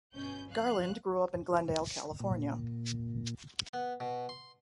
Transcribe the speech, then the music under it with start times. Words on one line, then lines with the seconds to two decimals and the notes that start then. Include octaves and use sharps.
Garland grew up in Glendale, California.
0.13 G1 B2 C#4 G6
0.50 F2 F5 F#6
2.20 A#2
3.73 B3
4.00 B2
4.29 C6